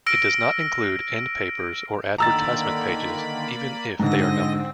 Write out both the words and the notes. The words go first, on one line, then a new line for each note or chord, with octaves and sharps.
It does not include end papers or advertisement pages, even if they are numbered.
E6 F6 A#6 D7
D3 D#3 A#3 D5 A#5 B5 E6 A6
G#2 D3 C4 D#5 A#6